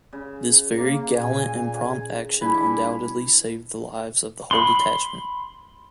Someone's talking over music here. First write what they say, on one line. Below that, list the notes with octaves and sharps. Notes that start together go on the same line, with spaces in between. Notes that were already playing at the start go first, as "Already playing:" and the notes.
This very gallant and prompt action undoubtedly saved the lives of the whole detachment.
C#3
A#3
A#2 G#5
G3 D4 E4 B4 G#5 B5
B5 C6